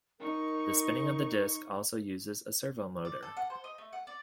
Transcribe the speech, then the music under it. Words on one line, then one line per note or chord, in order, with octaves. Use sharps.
The spinning of the disk also uses a servo motor.
D#4 A#4 C#6
D5
A4
F#5
C5
D#5
A3
F#5
D5